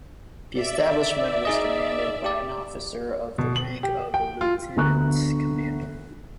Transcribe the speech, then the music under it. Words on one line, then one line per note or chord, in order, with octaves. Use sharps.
The establishment was commanded by an officer of the rank of Lieutenant Commander.
D5 E5
D#4 G#4 D#5
G4 D5
B2
F#7
G4
G5
F4
D2 D3 B3 A#5 C#6 F#6